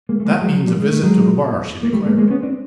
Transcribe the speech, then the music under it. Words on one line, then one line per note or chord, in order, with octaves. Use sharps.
"That means a visit to the bar!" she declared.
G#3 A#3
A3
G#3 A#3
F#3 G#3
F#3
F3 G3
G#3
A3
F#3 G#3
A#3
G3 A3
G#3 A#3
G#3 A#3
B3 C#4
C4 D4